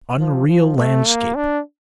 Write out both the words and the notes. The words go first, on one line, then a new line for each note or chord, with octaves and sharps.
Unreal landscape!
F3
F3
A3
A#3
D4